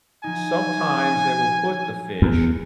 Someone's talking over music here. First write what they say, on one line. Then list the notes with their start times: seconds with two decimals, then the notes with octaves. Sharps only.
sometimes they will put the fish
0.24 F3 D#4 G#5
2.22 E2